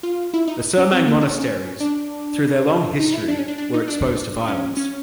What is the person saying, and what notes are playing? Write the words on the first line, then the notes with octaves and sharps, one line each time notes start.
The Surmang monasteries, through their long history, were exposed to violence.
F4
E4
D#4
C#4
C4
A#3
C#4
D4
D#4
E4
D4
C#4
D4
D4
D#4
D4
C#4
C#4